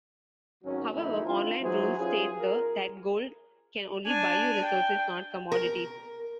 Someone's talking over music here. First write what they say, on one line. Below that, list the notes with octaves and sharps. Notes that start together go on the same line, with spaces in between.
However, online rules state that Gold can only buy you resources, not commodities.
G#1 F#3 C#4
F2 A#2 D#3 A3 D#4 E4
C4 D4 E4 F4
E3 F#3 D#4 E4 G#4 C5
C#4 F4 G4 G#4
A#4
D4 G#5
G5
A#4